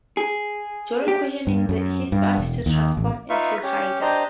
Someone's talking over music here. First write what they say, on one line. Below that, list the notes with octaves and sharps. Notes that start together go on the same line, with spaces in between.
During questioning he starts to transform into Hyde.
G#4
G4
G2
F#2
G2
E1
D#2
A1
D#4 F4 B4 E5 F5 C#6
C#4 G4 C#5
D4 G4 C5 D#5 A#5